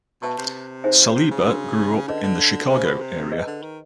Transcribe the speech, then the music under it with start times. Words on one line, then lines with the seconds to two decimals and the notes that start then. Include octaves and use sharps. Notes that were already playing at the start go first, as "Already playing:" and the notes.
Saliba grew up in the Chicago area.
0.22 B2 B4 E5 A5 C#6
0.38 C3
0.84 D#4 G#4 C5 E5 G#5
1.15 C3
1.31 C#3
1.46 D4 F#4 A#4
2.07 D3 C#4 F4 G#4 B4 D#5
2.23 D3
2.69 C#3 C5 E5 G#5
2.84 B2
3.00 C3
3.31 G#4 B4 D#5
3.47 D3
3.63 D#3